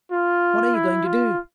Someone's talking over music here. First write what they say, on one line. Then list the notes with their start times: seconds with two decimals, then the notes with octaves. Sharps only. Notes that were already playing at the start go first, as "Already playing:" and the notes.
"What are you going to do?"
0.11 F4
0.74 E4
1.06 F4